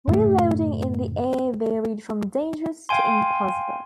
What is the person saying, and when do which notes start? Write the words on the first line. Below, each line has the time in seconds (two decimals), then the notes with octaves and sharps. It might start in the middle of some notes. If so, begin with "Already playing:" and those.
Reloading in the air varied from dangerous to impossible.
0.08 F#2 A2 C#3 A3
2.89 F5 G5 G#5 C6